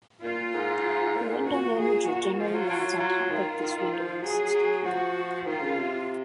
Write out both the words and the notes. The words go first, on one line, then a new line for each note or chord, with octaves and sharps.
The window manager generally runs on top of this windowing system.
A#2 F4
G#2
A#2
G#2
A#2 F#4
G#4
F#4
F3 F4
F#3
F#3
F#3
D#3 F4
D#3
D#3
F3
F#3 G#4
F#3
F3 F#4
D#3 F4
C#3
C3